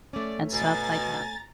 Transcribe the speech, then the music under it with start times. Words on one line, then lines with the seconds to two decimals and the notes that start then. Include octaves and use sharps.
and stuff like that.
0.13 A3 C#4 D5
0.52 B2 G#5 A#5 A6